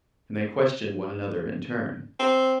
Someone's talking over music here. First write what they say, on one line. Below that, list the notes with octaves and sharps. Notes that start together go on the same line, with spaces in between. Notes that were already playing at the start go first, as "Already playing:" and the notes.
And they questioned one another in turn.
C4